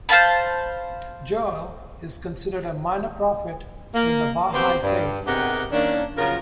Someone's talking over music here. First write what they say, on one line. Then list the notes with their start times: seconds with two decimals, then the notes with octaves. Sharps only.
Joel is considered a minor prophet in the Baha'i Faith.
0.09 C5 F5 A5 B5
3.94 A#3
4.53 B3 C4 F#4 G4 C5
4.82 G2
5.27 G#2 C3 B3 G4 A#4 F#5
5.72 D#3 A#3 C#4 D4
6.17 C#3 F3 F#3 F4 A#4